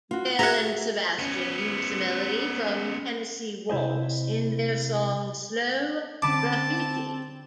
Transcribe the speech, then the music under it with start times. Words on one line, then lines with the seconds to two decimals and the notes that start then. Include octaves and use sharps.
Belle and Sebastian used the melody from "Tennessee Waltz" in their song "Slow Graffiti".
0.11 F4 F#4
0.39 F#4 G#4 E5 F#5 A#5
1.19 B3 C#4
3.70 C3 E4 C5 D#5
6.22 D3 C4 C#4 A5 B5 D6